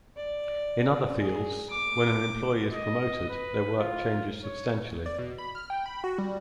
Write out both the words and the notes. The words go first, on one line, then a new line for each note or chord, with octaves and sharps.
In other fields, when an employee is promoted, their work changes substantially.
D5
G#4
D6
D#5
B4
F4
C#5
D5
B2
B5
F6
G5
B5
F#4
G3